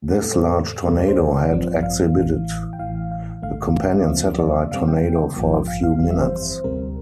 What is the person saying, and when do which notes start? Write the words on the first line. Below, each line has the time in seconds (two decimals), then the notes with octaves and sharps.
This large tornado had exhibited a companion satellite tornado for a few minutes.
0.22 A2 G3 A#3 A4
0.33 C5
0.44 A4
0.86 D2 C3 G3 A#3 A4
0.97 D5
1.08 C5
1.18 D5
1.50 A1 G2 F3 C4
1.83 F5
2.15 A1 A2 E3
2.73 G5
2.79 A1 A2 E3 F5
3.12 F5
3.42 A1 G2 D3 A3 F5
4.07 D2 D3 F3 C4 E5
4.39 D5
4.56 E5
4.71 F2 C3 G3 C4 F5
4.88 G5
5.36 A1 G2 F3 A#3
5.68 F5
5.83 F5
5.99 G1 F2 E3 G3 C4 F5
6.10 E5
6.21 C5
6.64 D2 C3 G3 C4 A#4